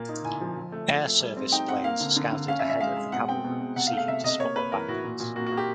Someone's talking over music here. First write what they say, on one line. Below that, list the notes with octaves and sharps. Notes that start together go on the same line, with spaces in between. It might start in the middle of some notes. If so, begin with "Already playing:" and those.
Air Service planes scouted ahead of the cavalry seeking to spot the bandits.
Already playing: A#2 A#3
D#4
A2 G#5
F3
F3
A3
F3
A3
G3
C4
D#4 G5
C4 F#5
A#3 F5
D3
D3
D3
C#4 F5
E5
C#4
E5
G#3 F5
G#3
B2 F#5
C4 G5
B2
B2
C3 F#5
F5
A3
F5
C3 E5
C3 D#5
A#3 C#5
A#3 B4
E3 A#4
A2 F#4
A#2
A#2
A#3 F#4
F#4
A#3
G4